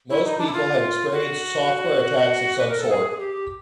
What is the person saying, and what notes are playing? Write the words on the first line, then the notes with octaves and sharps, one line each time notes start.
Most people have experienced software attacks of some sort.
E4
D#4
D4
E4
F4
F#4
B4
A#4
A4
G#4
G#4
G4